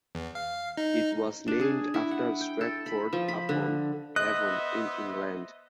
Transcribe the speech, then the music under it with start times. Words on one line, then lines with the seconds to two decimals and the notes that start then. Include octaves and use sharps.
It was named after Stratford-upon-Avon, in England.
0.15 E2
0.35 F5
0.77 D#4
1.48 D4
1.61 G#4
1.94 E4
2.11 F#5
2.41 G5
2.61 A4
2.86 B5
3.13 F3
3.28 B5
3.49 D3
4.16 B3 C5 D#5 E5 F#6